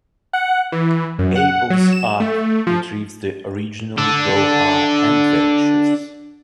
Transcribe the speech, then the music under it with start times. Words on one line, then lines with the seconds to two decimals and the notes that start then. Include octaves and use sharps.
Abel's Ark retrieves the Original Zohar and vanishes.
0.33 F#5
0.72 E3
1.19 F#2
1.36 F#5
1.70 F#3
1.93 E7
2.20 A3
2.67 F3
3.98 D4 A4